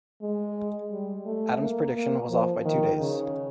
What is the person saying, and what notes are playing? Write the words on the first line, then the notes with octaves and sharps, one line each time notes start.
Adams's prediction was off by two days.
G#3
G3
A3
A#3
A#3
F3
D#3
C#3